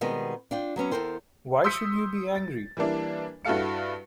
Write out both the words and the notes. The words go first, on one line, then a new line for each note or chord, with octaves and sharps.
Why should you be angry?
B2 D#3 G3 G#3 B3 C4
D4 F4 G5
F#3 B3 C#4 C#5
E2 A#2 A4 A#4 C5 G5
C6 D#6 E6 G6 B6 C#7
A6
E3 G3 A#3 D4 E4
G2 E4 F#4 A4 F5 C#7